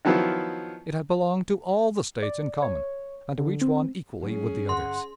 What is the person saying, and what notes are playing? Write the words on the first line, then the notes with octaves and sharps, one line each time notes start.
It had belonged to all the States in common, and to each one equally with the others.
D#3 F3 F#3 B3 E4 F4
D5
C#5
D3
C4
F#3 G#3 C#4 G#4
G1 F#5 C6